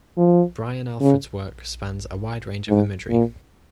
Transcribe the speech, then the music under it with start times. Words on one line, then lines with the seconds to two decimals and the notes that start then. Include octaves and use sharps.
Brian Alfred's work spans a wide range of imagery.
0.17 F3
1.00 C#3
2.68 G#2
3.10 A#2